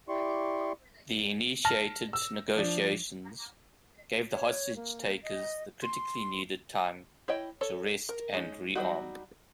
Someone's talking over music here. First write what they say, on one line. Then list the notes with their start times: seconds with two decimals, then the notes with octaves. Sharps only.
The initiated negotiations gave the hostage-takers the critically needed time to rest and rearm.
0.09 E4 G4 D5 C6 C#6
1.65 A5 F6 A#6
2.13 E6
2.56 F3 D4
4.33 C#5
4.76 A#3
5.23 D#5
5.83 C6
7.28 E4 C#5 D#5 G5
7.61 A4 C#5
8.09 A#4
8.34 G#3 C#4 D#4
8.75 F#3 G3 D#4 F#4